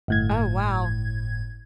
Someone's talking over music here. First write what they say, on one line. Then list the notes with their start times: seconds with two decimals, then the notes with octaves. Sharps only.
Oh, wow.
0.08 G1 A2 G#6